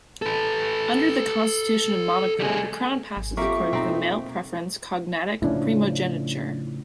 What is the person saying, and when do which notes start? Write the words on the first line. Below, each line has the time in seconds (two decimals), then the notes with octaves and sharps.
Under the constitution of Monaco, the crown passes according to male-preference cognatic primogeniture.
0.22 A4 B4
2.40 G3 G#4
3.17 G#1
3.37 F2 A#3 G4 E5 C#6
3.73 B2 C4 D#4
5.42 A2 C#3 F3 C#4 D4 E4